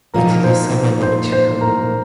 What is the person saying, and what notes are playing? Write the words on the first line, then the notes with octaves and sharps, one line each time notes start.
It is a suburb of Chicago.
A#2 F3 A#3 D#4 A#4
C5
C5
C5
A#4